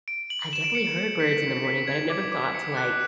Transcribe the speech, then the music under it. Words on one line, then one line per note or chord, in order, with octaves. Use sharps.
I've definitely heard birds in the morning, but I've never thought to, like,
D7
F#7
E7
D7
C#7
C#7
B6
C#7
B6
G#6
D6
D6
C#7
F#6